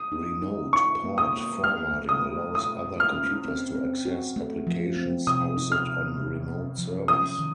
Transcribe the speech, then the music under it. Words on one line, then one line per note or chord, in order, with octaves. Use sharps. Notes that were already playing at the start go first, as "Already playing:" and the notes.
Remote port forwarding allows other computers to access applications hosted on remote servers.
Already playing: D#6
D#4
D#4
D#4 C#6
A#3
D#6
A#3
A3 F6
A3
D#6
A3
A3 D#6
A3
F6
C#4
C4
C4
F#4
A3
F3
C4
C3 D#6
D#4
F6
C3
C3
C3
F3
C#4 D#6
D#3